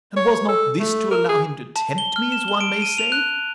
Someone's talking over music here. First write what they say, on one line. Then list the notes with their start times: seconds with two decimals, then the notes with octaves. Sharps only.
And was not this to allow him to tempt me, as one may say?
0.17 C#5
0.48 A4
0.80 A3
1.11 A#4
1.29 G#4
1.76 A5
1.98 G7
2.16 F6
2.32 E7
2.48 G7
2.61 D7
2.82 D#7
2.98 F7
3.12 F#6